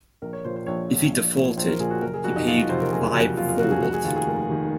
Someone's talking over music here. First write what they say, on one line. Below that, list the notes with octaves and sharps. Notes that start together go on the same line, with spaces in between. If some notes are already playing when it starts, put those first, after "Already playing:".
If he defaulted, he paid fivefold.
A#1 A#4
C#5
A#2 F3 C5
C5
A#1 C#5
A#2 F3
A#1
A#2 F3
A#1 C5
A#4
A#2 F3 G#4
F#4
F#1 A#4
G#4
F2 C3 F#4
D#4
F#1 F4
F#4
F2 C3 C5
A#4
F#1 G#4
F2 C3 F#4
F#1 F4
F4
F2 C3 F#4
G#4
F1 F#4
G#4
D#2 D#3 F4
G#4
F1 A#4
D#2 D#3